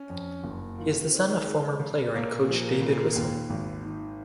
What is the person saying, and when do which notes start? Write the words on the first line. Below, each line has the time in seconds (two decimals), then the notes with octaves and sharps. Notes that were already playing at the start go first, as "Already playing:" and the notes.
He is the son of former player and coach David Whistle.
Already playing: C#4
0.10 F2
0.44 F#1
0.78 D#3 F4
1.12 C4
1.46 G#3
1.80 C#3
2.14 A#2 A#3
2.48 F3
2.82 C#3
3.15 D#2
3.50 G#1
3.83 D#3